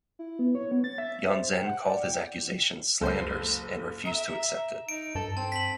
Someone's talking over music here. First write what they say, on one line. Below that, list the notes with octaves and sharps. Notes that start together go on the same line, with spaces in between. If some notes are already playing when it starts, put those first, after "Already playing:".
Yuan Zhen called his accusations slanders and refused to accept it.
E4
B3
C#5
B3
A6
E5
C5
G5
F#5
D5
G5
F#1 C#2 A4 C5 C7
E5 A#5 D7
D#4 D7
G2 A4
C4 A5
B6 F#7